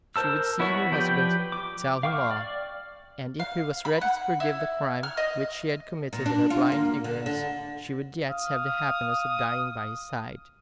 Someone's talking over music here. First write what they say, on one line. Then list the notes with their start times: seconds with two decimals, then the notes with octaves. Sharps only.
She would see her husband, tell him all, and, if he was ready to forgive the crime, which she had committed in her blind ignorance, she would yet have the happiness of dying by his side.
0.16 A#4 C5 A5 E6
0.59 B3 E4 F#4 C#5 C#6
0.92 F3 G4 B4 D5 G5
1.52 D6
2.03 F5 G5 C#6 D6 F6
2.31 D5
3.39 F5
3.85 B5
4.01 F#5
4.40 E4
5.03 F6
5.17 D#5
6.13 A#2
6.26 D4
6.50 F4
6.72 A#3
7.04 D3
7.26 D3
8.30 F5 D#6